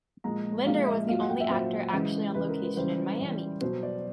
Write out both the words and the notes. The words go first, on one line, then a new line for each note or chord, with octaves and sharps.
Linder was the only actor actually on location in Miami.
A#2 F3 G#3 A#5
A#2 F3 G#3 F5
E5
A#2 F#3 F5
F#5
G5
E5
A#2 F#3 C5
C#3 E3 G#3
C#3 E3 G#3 B4
A#4
B4
C#3 E3 G3 C5
C#3 E3 G3
B2 F#3 C5
D5